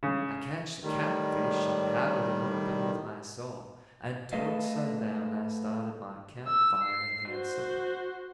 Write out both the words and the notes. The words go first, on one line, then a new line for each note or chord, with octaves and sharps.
I catched a catfish and haggled him open with my saw, and towards sundown I started my camp fire and had supper.
C#3
A2 D#3 G3
A3 G#4 A4 B4 D#5 F5
E6
C7
F#4 C5